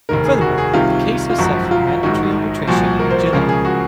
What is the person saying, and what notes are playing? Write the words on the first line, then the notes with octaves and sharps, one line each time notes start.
Furthermore, the case was set for mandatory arbitration in July.
F1 D#2 D#3 A#4
G#4
F#4
G#4
C2 C3 D#3 F4
F4
G#1 F#2 F3 F#4
F4
A#1 G#2 D#3 F#4
C2 A#2 F3 F#4
A#4
C5
C#2 C#3 F3 A#4
G#4
F#4